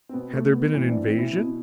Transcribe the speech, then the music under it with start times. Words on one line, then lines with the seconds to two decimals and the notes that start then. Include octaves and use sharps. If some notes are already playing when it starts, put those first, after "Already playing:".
Had there been an invasion?
0.09 C4
0.13 B2 B3
0.33 A3
0.54 B3
0.73 A2 E3 C4
0.89 D4
1.03 C4
1.18 E4
1.32 B2